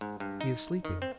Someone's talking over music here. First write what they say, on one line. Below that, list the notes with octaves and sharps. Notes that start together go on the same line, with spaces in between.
He is sleeping.
G#2
G2
D#4
D#3
C4